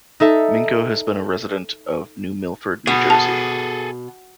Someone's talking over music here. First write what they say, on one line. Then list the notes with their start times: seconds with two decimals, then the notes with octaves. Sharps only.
Minko has been a resident of New Milford, New Jersey.
0.20 D#4 A4 E5
2.87 B2 G#4 A4
3.10 A5